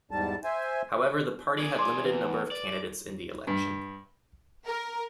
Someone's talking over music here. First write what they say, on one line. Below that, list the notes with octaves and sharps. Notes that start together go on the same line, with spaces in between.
However, the party had limited number of candidates in the election.
E2 G#2 G3 A5
C5 E5 G#5
G#4 D5
C6 D6
E2 B4
D5
G2
A#4